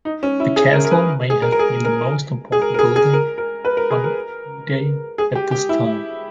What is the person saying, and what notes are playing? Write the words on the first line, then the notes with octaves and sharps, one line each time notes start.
The castle may have been the most important building on Eday at this time.
D#4
C#4
E4
G#4
A#4
A#4
B4
G#4
A#4
A#4
G#4
A#4
G#4
A#4
A#4
G#4
G#4
A#4
A#4
B4
A#4
G#4
A#4
G#4
G4
G4
E4